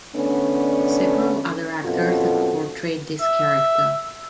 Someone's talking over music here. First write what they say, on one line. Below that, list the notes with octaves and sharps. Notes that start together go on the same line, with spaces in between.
Several other actors have portrayed this character.
D3 A3 B3 C#4 D4
F#2 B2 C4 F4 F#4 A4
E5